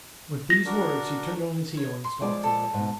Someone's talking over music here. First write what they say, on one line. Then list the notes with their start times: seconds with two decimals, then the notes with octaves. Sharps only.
With these words he turned on his heel and stalked away.
0.50 A#6
0.66 D4 F#4 A#4
1.77 C#5
2.04 C6
2.21 F3 G#3 D5
2.43 A4
2.73 G#2 B2